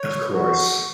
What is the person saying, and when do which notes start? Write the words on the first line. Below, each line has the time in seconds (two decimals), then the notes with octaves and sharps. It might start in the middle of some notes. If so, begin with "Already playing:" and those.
Of course.
Already playing: C#5
0.34 F#4